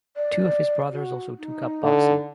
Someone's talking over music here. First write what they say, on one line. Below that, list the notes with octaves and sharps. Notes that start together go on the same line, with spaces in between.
Two of his brothers also took up boxing.
D5
F#4
D#4
D3